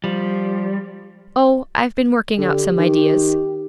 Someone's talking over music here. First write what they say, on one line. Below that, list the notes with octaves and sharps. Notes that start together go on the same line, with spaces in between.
'Oh--I've been working out some ideas.'
F3 G3
D3 G4
D#3